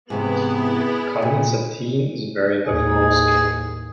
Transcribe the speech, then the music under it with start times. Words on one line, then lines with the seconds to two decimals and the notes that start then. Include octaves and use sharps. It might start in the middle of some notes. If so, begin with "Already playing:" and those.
Cotton sateen is a variant of moleskin.
0.10 G#2 C3 E3 B3 E4 G#4
1.22 A#2
2.67 D#2 A2 G#4